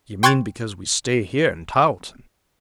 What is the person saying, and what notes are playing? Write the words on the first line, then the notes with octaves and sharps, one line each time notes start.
"You mean because we stay here in Tarleton?"
G5 C6 C#6 F#6 G#6 A6